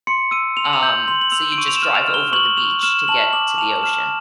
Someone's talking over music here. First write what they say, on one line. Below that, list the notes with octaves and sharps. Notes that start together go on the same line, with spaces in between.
um, so you just drive over the beach to get to the ocean,
C6 C#7
E6 D#7
C6 F7
F#7
F7
G6 F#7
C6 F#7
F#7
E6 F7
D7
C#6 D#7
F7
E7
F6
F7
F6
G7
C#6 F#7
C#6 F7
F6 E7
A5 F#7
D6 F#7
A5 F7
F6 E7